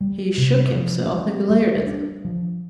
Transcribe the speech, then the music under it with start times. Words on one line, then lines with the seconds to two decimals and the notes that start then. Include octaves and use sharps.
He shook himself and glared at them.
0.01 G3
0.38 C3
0.75 F3
1.12 C4
1.50 G3
1.87 D4
2.25 F3